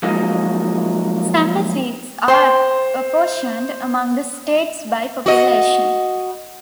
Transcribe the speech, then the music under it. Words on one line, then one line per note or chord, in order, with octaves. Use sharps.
Chamber seats are apportioned among the states by population.
F3 F#3 G#3 A#3 D#4 F4
C5 G5 C6
F#4 D#5